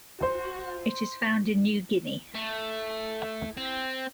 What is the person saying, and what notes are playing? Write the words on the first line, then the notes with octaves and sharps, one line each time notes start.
It is found in New Guinea.
C5 C6
A3
C4